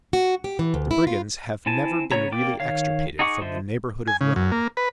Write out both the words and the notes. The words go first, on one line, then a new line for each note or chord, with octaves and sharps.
The brigands have never been really extirpated from the neighborhood of Rome.
F#4
G4
E3
D2
E4
F4
C4 E4 G#5 A5
C#3 B3 C#5 A#5
A#3 D5 G5 D6
D#3 C#5 F5
D#4 G#4 F#5 C#6 D6
D3 F4 C5 D#5 E5
G#5
C#3
F#2
A#3
B4